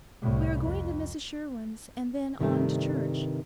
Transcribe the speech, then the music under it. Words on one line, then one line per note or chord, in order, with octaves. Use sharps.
We are going to Mrs Sherwin's, and then on to Church.
C2 A2
F2
G2 C3 D#3 F3 G3 A3